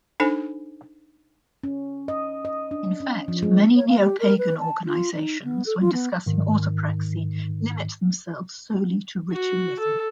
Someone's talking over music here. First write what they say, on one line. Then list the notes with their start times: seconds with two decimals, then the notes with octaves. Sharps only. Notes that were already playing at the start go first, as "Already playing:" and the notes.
In fact, many Neopagan organizations, when discussing orthopraxy, limit themselves solely to ritualism.
0.20 D4 D#4 A4 C5 G#5
1.64 C#4
2.08 D#5
2.45 D#5
2.71 D4
3.00 C#4
3.28 F3
3.42 G#3
3.76 C#5
3.88 F5
4.00 G4
4.20 A#4
4.38 B4
4.59 A5
4.85 F4
5.14 D#4
5.44 B3
5.66 A4
5.81 F4
5.93 B3
6.26 G#2 D#3
9.33 F#4
9.80 A4